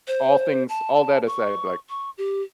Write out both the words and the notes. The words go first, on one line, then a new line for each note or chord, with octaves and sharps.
all things all that aside, like,
C5
A5
C#6
C#6
G4